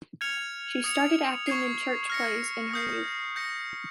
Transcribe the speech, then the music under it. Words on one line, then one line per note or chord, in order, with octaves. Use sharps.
She started acting in church plays in her youth.
F6 G#6 C#7 F7
D#6 G#6 C#7 F7
C#6 G#6 C7
F6 A#6 C#7
D#6 G6 C7
G6 A#6 C#7